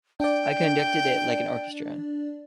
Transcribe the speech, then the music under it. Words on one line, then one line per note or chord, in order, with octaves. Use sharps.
I conducted it like an orchestra.
D4 D5 G5